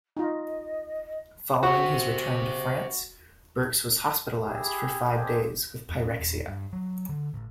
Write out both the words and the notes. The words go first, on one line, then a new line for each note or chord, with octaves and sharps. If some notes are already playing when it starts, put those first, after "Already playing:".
Following his return to France, Birks was hospitalised for five days with pyrexia.
D#4 F4 D#5
F#4 C5 E5
E4 G4 G#4
G#3 A#3 C4 D4 G4 G#4
F2
C#4
E1
G2
F#3
D3
A1